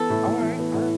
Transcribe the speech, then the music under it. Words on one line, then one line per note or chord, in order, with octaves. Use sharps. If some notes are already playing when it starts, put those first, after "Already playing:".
Alright, alright.
Already playing: E3 B3 A4
A2
A2
E3
B3
A2